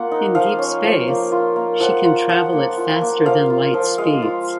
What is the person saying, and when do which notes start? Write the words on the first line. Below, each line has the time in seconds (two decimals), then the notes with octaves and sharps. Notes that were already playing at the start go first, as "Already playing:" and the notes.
In deep space, she can travel at faster-than-light speeds.
Already playing: A#3 F4 F#5
0.11 D#4
0.35 F3 F5
0.59 C#4
0.84 F3
1.08 A#3
1.32 F4
1.56 A#3
1.80 F3 F#5
2.04 F4
2.29 F3 F#5
2.53 A#3
2.77 F4
3.01 A#3
3.26 F3 F5
3.50 F4
3.74 F3
3.98 G#3 F5
4.22 F4